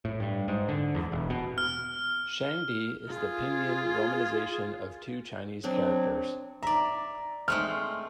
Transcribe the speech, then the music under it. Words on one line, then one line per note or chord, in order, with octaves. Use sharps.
"Shang Di" is the pinyin romanization of two Chinese characters.
A2
G2
G#2
D3
E2
E1
B2
F6
F4 G#4
F#3 C4 D4
D5 E5 A#5
G#3 A3 C4 F6